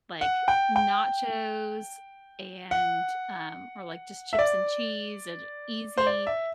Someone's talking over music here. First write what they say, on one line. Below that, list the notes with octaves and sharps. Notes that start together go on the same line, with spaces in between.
like, nachos and, um or, like, just chips and cheese and easy,
F#5
G5
G5
F#5
E5
D5
C5
D5
E5